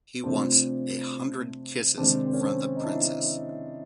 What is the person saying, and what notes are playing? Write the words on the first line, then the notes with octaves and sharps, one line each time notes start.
He wants a hundred kisses from the princess.
C3 F3 A3 C4 D4
C3 D#3 G#3 C4 D4
C4
C#4
C4 D4
D#4
D4 E4